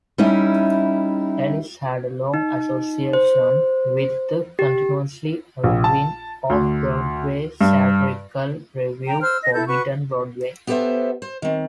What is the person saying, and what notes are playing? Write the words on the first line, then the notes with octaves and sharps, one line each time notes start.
Ellis had a long association with the continuously evolving Off-Broadway satirical revue "Forbidden Broadway".
G3 C#4 D#4 E4
D#4
C5
G4
A#1
A5
D2
G2
G5 A#5
C5 E6 F6
D#5
E4 A4 G6
F#4 B4 C#6
B3 G4 A4 B4 C5 E5
C5
D#3 C4